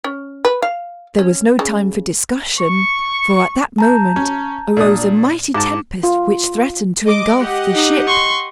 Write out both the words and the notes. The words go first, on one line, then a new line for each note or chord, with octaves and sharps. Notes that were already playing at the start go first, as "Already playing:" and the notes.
There was no time for discussion, for, at that moment, arose a mighty tempest which threatened to engulf the ship.
C#4
B4
F5
C#4
C#3
C#6
A5 A#5 G6
C#4
A#2 D4 D#6
G#2 A5 D6
F4
G#3 D#5 D6
G4 D#5 F#5
D#4
C6 C#6